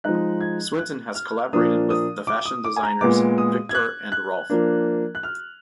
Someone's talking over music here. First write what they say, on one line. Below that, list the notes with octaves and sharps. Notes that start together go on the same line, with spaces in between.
Swinton has collaborated with the fashion designers Viktor and Rolf.
F3 G#3 D#4 F#6
G#6
F#6
F6
A#2 F3 A#3 D4 D#6
D#6
D6
D#6
D6
G#5
A#5
A#2 G#3 B3 D6
D#6
G#6
F#6
F#6
F3 A#3 D4
F#6
F6